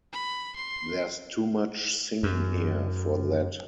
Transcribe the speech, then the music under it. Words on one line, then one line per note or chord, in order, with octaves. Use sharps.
There's too much singing here for that.
B5
C6
F#2